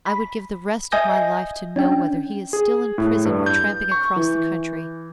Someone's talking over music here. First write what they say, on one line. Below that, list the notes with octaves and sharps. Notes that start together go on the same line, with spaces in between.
I would give the rest of my life to know whether he is still in prison or tramping across the country.
B5
D#5 E5 G#5 D#6 G6 A#6
C#4 D4 G5
G#4
A2
G2
G6
C#6
E3